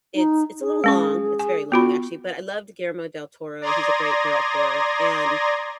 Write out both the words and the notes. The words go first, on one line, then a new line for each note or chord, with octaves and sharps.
it's it's a little long, it's very long, actually, but I loved Guillermo del Toro, he's a great director, and
D#4
G#4
G#3 C#4 C#6
G#5
B3 F4 F#4 B5
D5 A#5 C6 D#6 G#6 A#6